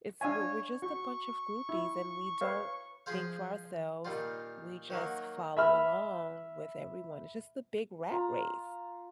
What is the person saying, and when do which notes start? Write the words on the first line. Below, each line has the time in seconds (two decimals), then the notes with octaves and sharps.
it's we're we're just a bunch of groupies, and we don't think for ourselves, we just follow along with everyone, it's just the big rat race.
0.21 D4 C#5 F5 G#5
0.82 F#4 C#6
1.69 E4
2.41 B4 C#5 F5
3.06 F3 G#4 C5 F5
4.05 A#2 D#3 G3 F4
4.90 D#3 F#3 A#3
5.57 E5 B5 F6
8.11 F4 A#5